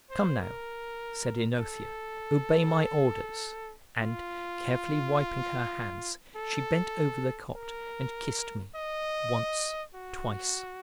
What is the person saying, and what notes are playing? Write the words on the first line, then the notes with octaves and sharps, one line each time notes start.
"Come now," said OEnothea, "obey my orders," and, carefully wiping her hands, she bent over the cot and kissed me, once, twice!
C5
A#4
A4
F4
A4
A#4
D#5
F#4